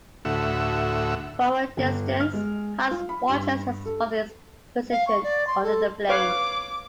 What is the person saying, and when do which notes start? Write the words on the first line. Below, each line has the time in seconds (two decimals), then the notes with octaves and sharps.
From a distance, Hans watches as his father is positioned under the blade.
0.25 D2 A2 F#4 E5
1.77 G1
2.20 F6
2.33 G#3
2.91 F4
3.09 B5
3.29 G2
3.86 A4
4.91 F5
5.07 C#6
5.23 D5
5.47 C6
5.64 A4
6.09 B4 C#5 F5 D6